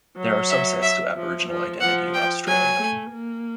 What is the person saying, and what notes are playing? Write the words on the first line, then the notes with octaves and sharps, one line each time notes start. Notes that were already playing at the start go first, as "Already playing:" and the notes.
There are subsets to Aboriginal identity in Australia.
F#3
E5
E5
F3
F3
F3 F#5
G5
F#3 G#5
A3
A#3